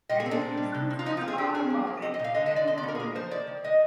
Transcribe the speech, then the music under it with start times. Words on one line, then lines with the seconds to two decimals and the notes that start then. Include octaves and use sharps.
And if you trim through the bottom of it then you ruin it,
0.09 A#2 D#5
0.20 G#4
0.26 C4
0.31 D4
0.41 A#2
0.57 G3
0.74 C3
0.90 C3
0.99 F4
1.06 F3 D#4
1.17 F4
1.22 C4
1.28 G#4
1.38 D4 G4
1.54 D4 G#4
1.70 F3
1.87 A#3
2.02 C4 D#5
2.14 D#5
2.19 A#2 F5
2.34 D3 D#5
2.46 D#5
2.51 G#3
2.56 D5
2.67 D3 D#5
2.78 D5
2.83 A#3
2.88 A#4
2.95 G#4
2.99 G#3 A#4
3.15 F3 C5
3.31 D#3 D5
3.47 D#3
3.64 G#3 D#5